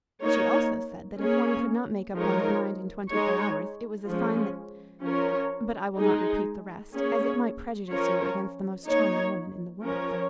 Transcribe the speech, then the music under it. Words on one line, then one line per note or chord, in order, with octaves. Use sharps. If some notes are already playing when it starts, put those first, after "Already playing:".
She also said that if one could not make up one's mind in twenty-four hours it was a sign that--but I will not repeat the rest, as it might prejudice you against the most charming woman in the world.
A#3 D#4 C#5
A#3 C#4 G#4 C#5
F3 G#3 D#4 A#4 C#5
G#3 D#4 C#5
F3 G#3 C#4
F3 C#4 A#4 C#5
G#3 D#4 G#4
A#3 C#4 G#4 C#5
F3 C#4 A#4 C#5
A#3 D#4 C#5
F3 C#4 A#4 C#5